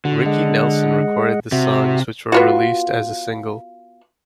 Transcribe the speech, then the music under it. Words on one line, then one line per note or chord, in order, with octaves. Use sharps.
Ricky Nelson recorded the songs which were released as a single.
D3 F#4
G#3 D#5 F#5
C3 F#4 E5
B3 F4 F#4